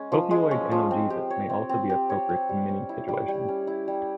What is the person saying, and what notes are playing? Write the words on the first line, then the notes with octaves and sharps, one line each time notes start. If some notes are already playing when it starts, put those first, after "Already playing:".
Opioid analgesics may also be appropriate in many situations.
Already playing: G#3 C#4
F3
G#3
C#4
F3
C4
G4
C#5
C4
C4
G4
C#5
C4
G3
C#4
E4
G3
G3
C#4
E4
G3